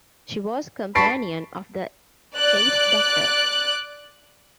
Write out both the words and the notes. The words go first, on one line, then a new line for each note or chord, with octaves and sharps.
She was a companion of the Eighth Doctor.
G2 A5 B5 C#6 A6 C7 D7
D5 F#6